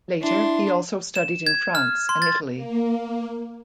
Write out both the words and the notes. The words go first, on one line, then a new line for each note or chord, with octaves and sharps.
Later he also studied in France and Italy.
D4 E4 C6
E7
G#6
F6
C6
A6
A#3